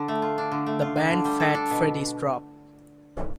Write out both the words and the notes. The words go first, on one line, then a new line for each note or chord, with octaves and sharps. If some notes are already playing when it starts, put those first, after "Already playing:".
The band Fat Freddy's Drop.
Already playing: D3 D4
A3
F4
D4
D3
A3
F4
D4
D3
G3
A4
D4
B2